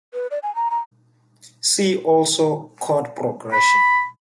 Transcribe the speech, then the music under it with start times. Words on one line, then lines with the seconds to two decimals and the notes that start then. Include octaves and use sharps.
See also Chord progression.
0.14 B4
0.31 D5
0.43 G#5
0.55 A#5
0.70 A#5
3.53 B5